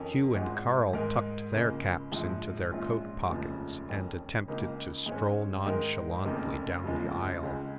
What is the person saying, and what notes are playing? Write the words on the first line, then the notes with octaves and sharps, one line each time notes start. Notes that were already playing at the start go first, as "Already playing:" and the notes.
Hugh and Carl tucked their caps into their coat pockets and attempted to stroll nonchalantly down the aisle.
Already playing: F2 D#3 C#4 A#4
G#1 G#2 G#3 F4 G#4
G#2 G#3 D#4 A#4
C#2 C#3 A#3
A#1 G#2 F3
A#1 G#2 G#3 C#4 F4
F1 D#2 C#3 F3 G#3
F2 D#3 C#4
C#2 C#3 A#3 D#4
G#2 G#3 C#4
G#2 D#3 G#3 D#4 A#4
F1 F2 C#3 A#3 D#4
F1 D#2 C#3 F3 G#3
C#2 C#3 G#3